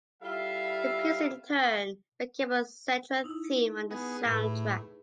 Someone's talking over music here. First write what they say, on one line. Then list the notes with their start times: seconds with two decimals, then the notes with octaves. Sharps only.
The piece, in turn, became a central theme on the soundtrack.
0.21 G3 E4 F4 A4 E5 F5
3.24 D#4 E4
3.91 B3 G#4
4.25 A2 G#4 B4 B5